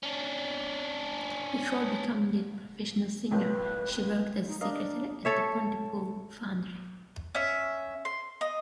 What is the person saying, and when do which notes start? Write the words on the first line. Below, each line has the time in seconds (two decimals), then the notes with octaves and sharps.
Before becoming a professional singer, she worked as a secretary at the Pontypool foundry.
0.03 C#4 D4
3.31 C2 F2 A2 B4
4.46 D#4
4.61 D4 A#4 D#5 F5
5.25 A4 C#5 E5
7.35 C#4 E5
8.05 C6
8.41 D#5